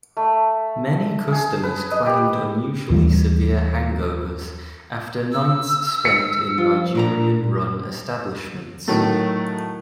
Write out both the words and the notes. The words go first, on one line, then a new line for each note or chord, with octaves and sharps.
Many customers claimed unusually severe hangovers after nights spent in Nigerian-run establishments.
A3
G#4
B4
D#5
G4
D#2 E3 G3
E6
C#7
F3 F4
A#2 D4 A#4 A#5
A2 D#3 F#3 A3